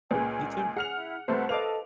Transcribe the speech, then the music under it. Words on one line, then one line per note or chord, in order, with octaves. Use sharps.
You too.
C#2 A#2 G#4 B4 G#5
G#4 F#5 F6 F7
E4
C2 A3 B4 C5 F#5 A5
A4 B4 D#5 F5 D6 F7